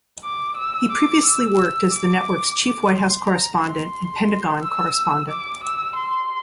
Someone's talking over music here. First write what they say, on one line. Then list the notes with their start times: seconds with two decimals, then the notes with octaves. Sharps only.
He previously worked as the network's Chief White House Correspondent and Pentagon correspondent.
0.24 D6
0.57 E6
0.91 D6
1.25 E6
1.58 E6
1.93 D6
2.60 D6
2.93 C6
3.26 A#5
3.61 C6
4.61 E6
5.29 D6
5.63 E6
5.96 C6